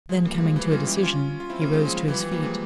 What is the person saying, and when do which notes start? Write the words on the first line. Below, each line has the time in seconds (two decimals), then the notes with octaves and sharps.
Then coming to a decision, he rose to his feet.
0.09 F3 G#3
0.25 G3 A#3
0.40 F3 G#3
0.56 E3 G3
0.71 C#4 F4
0.87 E4 G4
1.03 C#4 F4
1.40 F4
1.50 C4 E4
1.61 A#3 C#4
1.73 G#3 C4
1.85 F3 G#3
1.97 F3
2.08 E3 G3
2.20 E3 G3
2.31 G3 A#3
2.43 F3 G#3